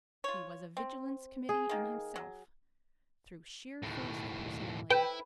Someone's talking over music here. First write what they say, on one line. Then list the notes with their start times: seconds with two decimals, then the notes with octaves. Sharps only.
He was a vigilance committee in himself through sheer force of personality.
0.24 F4 C#5
0.77 C4
1.49 G#4
1.69 D#3 A#3
2.16 F#3
3.83 D#2 A2
4.90 E4 B4 G5